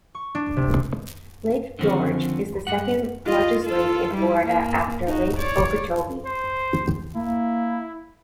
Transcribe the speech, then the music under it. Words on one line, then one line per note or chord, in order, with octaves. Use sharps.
Lake George is the second largest lake in Florida, after Lake Okeechobee.
C#6
D4
C3
D3 D#3 F3 C4 C#4
G2 F#5
F4 D#5
F4 A4
G3 E4
A#3
D#4 F#4
C#5 D5
C5
A#3 E4